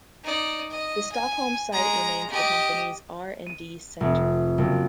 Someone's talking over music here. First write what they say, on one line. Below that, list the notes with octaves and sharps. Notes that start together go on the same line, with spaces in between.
The Stockholm site remains the company's R and D center.
D#4 D5
D#5
G#5
G#3 A#5
G4 D#5
D#7
F1
F#1